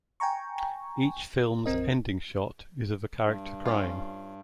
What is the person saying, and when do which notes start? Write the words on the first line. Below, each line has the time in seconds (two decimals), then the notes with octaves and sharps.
Each films' ending shot is of a character crying.
0.20 G5 G#5 A#5 C#6
1.66 A1 F2 C4 A#4 D#5
3.26 G2
3.65 C#4 F4